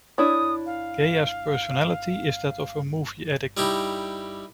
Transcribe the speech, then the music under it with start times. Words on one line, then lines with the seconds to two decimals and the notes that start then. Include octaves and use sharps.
Gaea's personality is that of a movie addict.
0.18 D4 E4 C#5 D#6
0.66 F5
3.57 G3 D#4 E4 G4